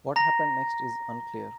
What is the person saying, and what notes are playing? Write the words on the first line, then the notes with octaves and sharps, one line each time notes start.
What happened next is unclear.
A#5 A#6